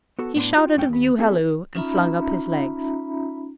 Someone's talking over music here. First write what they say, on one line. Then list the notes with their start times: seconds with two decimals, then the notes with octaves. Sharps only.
He shouted a view-halloo, and flung up his legs.
0.19 B3 F#4 A4
0.35 A2 B3 D4 C6
0.56 F4 G4
0.76 F#2 A3 C#4 G5
0.89 D#2 B5
1.19 B3 C4 E4 G#4 A4 E5
1.75 C#4 D#4 F4 E5 A#5 B5